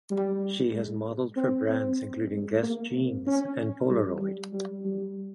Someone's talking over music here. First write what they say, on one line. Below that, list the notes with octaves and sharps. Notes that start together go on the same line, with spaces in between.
She has modeled for brands including Guess Jeans and Polaroid.
G3
G#3
C4
C4
G#3
A#3
C4
C#4
G3
G3
G3
G3